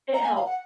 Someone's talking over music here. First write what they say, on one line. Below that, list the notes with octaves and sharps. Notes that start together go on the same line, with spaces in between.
it helps.
A#5
G#5
F5
F#5